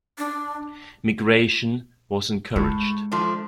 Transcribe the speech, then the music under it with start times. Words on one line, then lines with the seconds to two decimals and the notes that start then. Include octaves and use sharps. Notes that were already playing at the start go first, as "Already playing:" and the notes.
Migration was encouraged.
0.18 D4
2.56 A2 G#3
3.12 F3 A3 D4